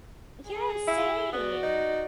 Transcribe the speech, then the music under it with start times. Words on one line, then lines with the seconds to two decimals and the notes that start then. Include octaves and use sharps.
Yeah, same.
0.49 G#4
0.88 E4
1.33 B3 F#4 D5
1.63 D#4